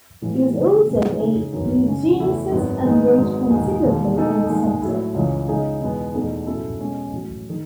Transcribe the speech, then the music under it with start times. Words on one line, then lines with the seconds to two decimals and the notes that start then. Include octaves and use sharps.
He was also a eugenicist and wrote considerably on the subject.
0.22 A1 A2 E3 G#3 B3
0.54 D#2 C#3 E3 G#3
0.87 B2 G#3 B3
1.19 C#3 G#3 D#4 G#4
1.53 F#2 D#3 F#3 B3
1.86 C#3 G#3 C#4
2.19 E2 C#3 E3 A3 E4
2.51 G#1 F#2 D#3 F#3 B3
2.84 G#2 D#3 G#3 B3 D#4
3.18 G#1 G#2 F#3 B3
3.50 E1 D#2 D#3 G#3 D#4
3.83 E1 D#2 D#3
4.17 B2 G#3 D#4 A4
4.50 D#2 D#3 G#3
4.82 A2 F#3 A3 E4
5.14 C#2 C#3 E3
5.48 C#3 G#3 D#4 G#4 D#5
5.81 E2 B2 G#3 B3
6.14 E2 B2 A3 D#4 G#4
6.47 B2 F#3 C#4 E4 A4
6.80 B2 G#3 C#4
7.13 A1 A2 F#3
7.50 D#3